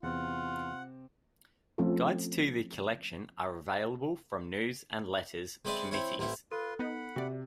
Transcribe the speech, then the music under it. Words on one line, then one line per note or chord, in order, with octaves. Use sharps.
Guides to the collection are available from News and Letters Committees.
E2 C3 C4 F4 F#5
F3 A3 C4 C#4 F4 A4
G#3 C4 B4 D5 E5
C4 E4 C#5
A1 C4 E4
F4 A4 B4 C6
B3 D#4 F#5 B5
C3 F#4 D5